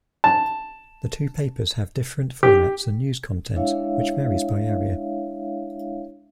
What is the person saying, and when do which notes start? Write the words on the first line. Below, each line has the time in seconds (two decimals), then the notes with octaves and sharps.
The two papers have different formats and news content which varies by area.
0.24 A5
2.43 G4
3.56 G#3 D4 E4 C#5 E5 F5